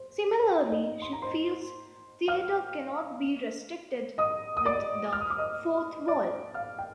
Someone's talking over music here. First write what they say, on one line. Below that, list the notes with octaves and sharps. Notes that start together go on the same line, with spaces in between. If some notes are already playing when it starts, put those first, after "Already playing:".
Similarly, she feels theatre cannot be restricted with the "fourth wall".
Already playing: C5
C5
D#4 D#5
C6
A#5
C5 C6
F5 F6
D#5 D#6
D#6
D5 D6
F6
D#6
D6
D#5 D#6
D5 D6
F5 F6
G5